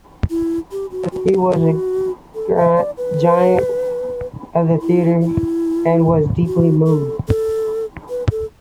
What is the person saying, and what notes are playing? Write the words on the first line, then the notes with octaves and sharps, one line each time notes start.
He was a giant of the theater and was deeply mourned.
E4
G4
F#4
F#4
F#4
F#4
A4
E5
D5
B4
E4
E4
F#4
A4
A4
B4
A4